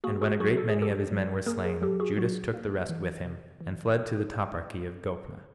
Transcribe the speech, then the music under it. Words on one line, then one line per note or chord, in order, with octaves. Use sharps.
And when a great many of his men were slain, Judas took the rest with him, and fled to the toparchy of Gophna.
A#3 F#4 G#4
F#4 G#4
F#3 F#4 G#4
A4
G#4
F#3
G4 A4
F#3
A#3 G#4 A#4
G#4 A#4
F#3 G4 A4
F#4 G#4
F#3 F#4
A#3
E3
C3
E3